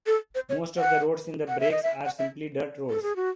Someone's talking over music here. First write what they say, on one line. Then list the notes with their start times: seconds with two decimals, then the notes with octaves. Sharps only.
Most of the roads in the breaks are simply dirt roads.
0.06 A4
0.35 C5
0.49 C#5
0.77 F#5
1.48 F#5
1.60 E5
1.71 D#5
1.83 E5
2.05 F#5
2.19 E5
2.90 A4
3.02 G#4
3.16 F#4